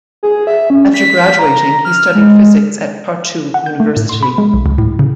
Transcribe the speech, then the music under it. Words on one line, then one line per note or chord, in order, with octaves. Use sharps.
After graduating he studied physics at Tartu University.
G#4
E5
C#4
B6
A#5
F6
G#3
F#5
G6
A3
A2
C6
B5
G#3
B1
C#2
A2
C#3